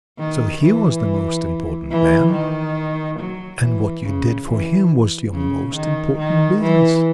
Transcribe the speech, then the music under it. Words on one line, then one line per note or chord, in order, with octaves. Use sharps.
So he was the most important man, and what you did for him was your most important business.
D#3
E3
E3
D#3
F#3
E3
C#3
E3
C#3
D#3
D#3
E3